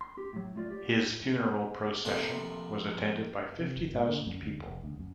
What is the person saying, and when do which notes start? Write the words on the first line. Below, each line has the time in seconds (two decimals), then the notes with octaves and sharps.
His funeral procession was attended by fifty thousand people.
0.01 C6
0.18 G4
0.33 A2 F#3
0.56 A3 F4 D5
0.70 G4 D5
2.05 A#1 C3 F3 A3 F#4 C6
3.60 C3
3.77 G1
3.93 G#2
4.08 D3
4.27 F#2
4.42 D2
4.66 F1
4.83 D2
4.99 F#2